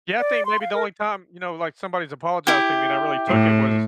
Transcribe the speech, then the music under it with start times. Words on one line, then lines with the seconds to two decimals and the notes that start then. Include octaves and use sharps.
Yeah, I think maybe the only time, you know, like, somebody's apologized to me and I really took it was
0.19 D5
0.46 C6
0.61 F5
0.74 A#4
2.47 E4 G4
3.28 A2